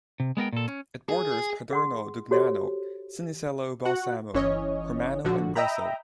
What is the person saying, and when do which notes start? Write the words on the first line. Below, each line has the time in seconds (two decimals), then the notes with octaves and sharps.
It borders Paderno Dugnano, Cinisello Balsamo, Cormano and Bresso.
0.20 C3
0.37 G#3 B3 A#4 G5
0.53 A#2 A4
0.68 C#4
1.09 G#4
1.71 G#4 F#5 C6
2.31 F#4 G4 A4 C5 C#5
3.85 F#4 F#5
4.34 G1 E3 C#4 C#5 D#5
5.24 A#1 D3 F3 F#4
5.55 D#5 E5 G5 A#5 B5